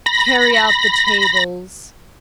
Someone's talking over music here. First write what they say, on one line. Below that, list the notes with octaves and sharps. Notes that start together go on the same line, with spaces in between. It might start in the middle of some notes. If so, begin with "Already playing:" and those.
"Carry out the tables."
B5 A#6